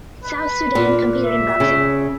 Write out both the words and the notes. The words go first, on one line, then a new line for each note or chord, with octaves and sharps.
South Sudan competed in boxing.
B4
A#2
E5
C#3